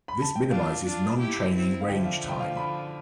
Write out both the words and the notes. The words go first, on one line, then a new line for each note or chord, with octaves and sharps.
This minimizes non-training range time.
B5
A5
G5
D4 F4 F5
D4 F4
E4 G4
C4 E4
F5
D3 F3 G5
E5
F5
G5
F5
B5